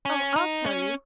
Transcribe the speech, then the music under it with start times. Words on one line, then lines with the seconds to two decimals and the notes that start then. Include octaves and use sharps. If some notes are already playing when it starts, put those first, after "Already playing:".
Oh, I'll tell you!
0.05 C#4
0.36 D#4
0.66 C#4